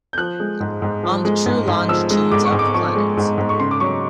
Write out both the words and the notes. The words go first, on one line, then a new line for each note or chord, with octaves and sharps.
On the true longitudes of the planets.
G6
F3 F#6
G#3
G#2
G#2
F3
G#3
G#2
G#2
F3 E6
G#3
G#2 D6
C#6
G#2
D6
F3 C#6
G#3
G#2
G#2
C#6
C#3 C6
D6
F#3 C#6